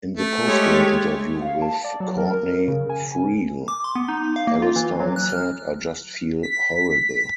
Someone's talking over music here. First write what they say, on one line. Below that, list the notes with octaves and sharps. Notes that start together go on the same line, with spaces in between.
In the post-game interview with Courtney Friel, Alstyne said, I just feel horrible.
A3
G#3 G4 C#5
F5
A5
D5
F#3
A#4
C#3
G#5
D6
C6
B3
D#4
F5
A#3
F4
E3
F#3
F#6
F6
B6